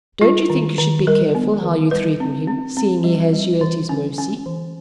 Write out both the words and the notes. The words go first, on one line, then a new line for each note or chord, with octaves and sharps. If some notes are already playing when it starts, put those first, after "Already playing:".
"Don't you think you should be careful how you threaten him, seeing he has you at his mercy."
G3 F4
D#3
D#3
G3 A#4
B3
D#3
G3 B4
C4
C4
C4
G3
G3
E3
C#4
C#4
E3